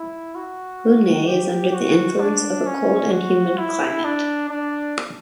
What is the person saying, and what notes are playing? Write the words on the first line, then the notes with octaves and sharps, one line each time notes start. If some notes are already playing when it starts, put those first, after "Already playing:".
Huinay is under the influence of a cold and humid climate.
Already playing: E4
F#4
G4
F#4
D4
C#4
F#4
E4
D4
D4